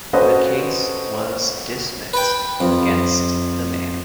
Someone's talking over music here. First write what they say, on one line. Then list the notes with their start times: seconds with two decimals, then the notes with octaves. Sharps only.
The case was dismissed against the man.
0.13 C#4 F#4 A4 B4 C5 D#5
2.13 B4 G5
2.61 F2